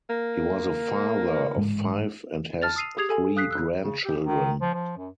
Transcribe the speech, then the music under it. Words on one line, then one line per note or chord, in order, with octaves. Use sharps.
He was a father of five and has three grandchildren.
A#3
A1 G#2 G#3
A5 F6 A6 F7
D#6 E6 C7 D#7 F7
G4 G#4 D#6 G#6 C7 F7
A4 G#5
F5 D#6 F#6 B6 C7
E6 F#6
C#3
G4
D#3
F3
F3
F#2